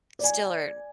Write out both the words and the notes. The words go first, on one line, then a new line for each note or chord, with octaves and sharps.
still are
D5 G#5